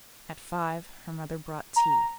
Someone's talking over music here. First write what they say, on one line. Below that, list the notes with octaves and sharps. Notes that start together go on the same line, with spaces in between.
At five her mother brought tea.
A#5